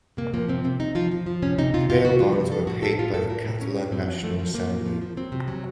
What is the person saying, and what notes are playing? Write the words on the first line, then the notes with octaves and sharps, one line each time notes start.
The bail bonds were paid by the Catalan National Assembly.
C3 A#3
F3 A#3
C3 C4
C3 C4
C3 D#4
F3 F4
F3
F3
C3 C#4
C3 D#4
C3 F4
C3 F4
C3 F#4
F3 F4
C3
F3 A4
A2 F#4
A2 A4
A2 F4
A2 A4
A2 A#4
A2
A2 C#4
A2
F3 C4
F3
F3 A3
F3
F3 A#3
A2
F3
F3
F#3 C4
C3
F#3